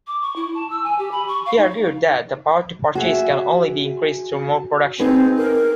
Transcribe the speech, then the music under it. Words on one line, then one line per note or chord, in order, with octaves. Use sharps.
He argued that the power to purchase can only be increased through more production.
D6
C#6
E4
A5
E6
G#5
G4
B5
C#6
F5
D#4
D#4
F#4 G#4 E5
C4 D#4 G#4 B4
A#4